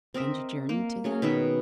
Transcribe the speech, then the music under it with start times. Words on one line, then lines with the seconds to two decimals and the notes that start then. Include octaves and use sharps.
"And you journeyed to them?"
0.14 C4 A#4 D#5 E5
0.69 A#3
1.04 F#3 C#4 G#4
1.22 B2 D#3 B4 E5